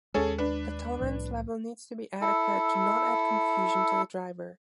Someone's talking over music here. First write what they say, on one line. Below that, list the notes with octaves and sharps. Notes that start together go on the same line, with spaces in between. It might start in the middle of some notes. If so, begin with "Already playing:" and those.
The tolerance level needs to be adequate to not add confusion to the driver.
D#2 G#3 C#4 G#4 A4
D4 B4
C2 A2 F3
E4 A4